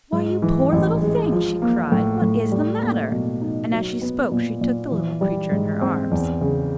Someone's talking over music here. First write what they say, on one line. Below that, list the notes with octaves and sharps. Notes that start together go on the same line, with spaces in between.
"Why, you poor little thing!" she cried, "what is the matter?" and as she spoke she took the little creature in her arms.
G#2
E3
A1
G#3
F3
A#3
A2
A2
G3
A#3
B2
D#4
F#3
B3
A#2
A#2
E3
G3
G#2
C4
E2
C#3